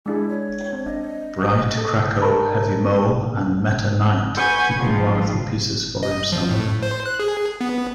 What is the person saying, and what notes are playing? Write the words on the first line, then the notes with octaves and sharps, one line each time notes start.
Bright, Kracko, Heavy Mole, and Meta Knight, keeping one of the pieces for himself.
G#3 D4 E4 G#4
C#5
C4
D4 D#5
A4
A4 A#4 A5 B5
B4 F#5 G#5 C#6 G6
F3 G3 G#3 D4 F4
D#5
F3
A2
C5
F#6
G#4
B3